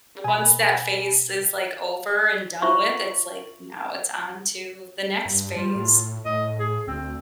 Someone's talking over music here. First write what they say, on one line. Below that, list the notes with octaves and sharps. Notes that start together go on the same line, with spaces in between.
once that phase is, like, over and done with, it's like, now it's on to the next phase.
B2 G#5 B5
F4 C5 E5 C#6
G2
G3 F4
A2
A2 D#5
G#4
D2 C4